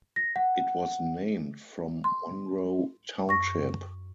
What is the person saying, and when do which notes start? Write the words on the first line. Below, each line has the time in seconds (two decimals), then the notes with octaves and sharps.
It was named from Monroe Township.
0.16 A#6
0.36 F#5
2.04 C6
3.28 F#2 C#6 A#6